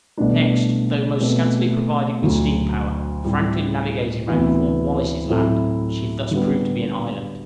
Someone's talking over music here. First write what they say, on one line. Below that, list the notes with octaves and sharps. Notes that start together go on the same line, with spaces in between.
Next, though most scantily provided with steam-power, Franklin navigated round Cornwallis' Land, which he thus proved to be an island.
C2 B2 A3 D4
B2 A3 C4
D2 D3 F#3
A2 G3 C4
D2 C3 E3 B3 E4
A2 F#3 C4 E4 A4
D3 G3 B3 F#4